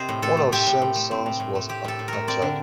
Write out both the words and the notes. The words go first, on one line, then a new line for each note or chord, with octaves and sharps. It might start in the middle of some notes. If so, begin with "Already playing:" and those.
One of Shem's sons was Arpachshad.
Already playing: C3 C4 C5 D#5
A2
A2 A4
A3
C4 G4
A2
A2
A3
C4
A2
A2
A3
C4 G4
A2 A4
A2
A3 A#4
C4 D5
D3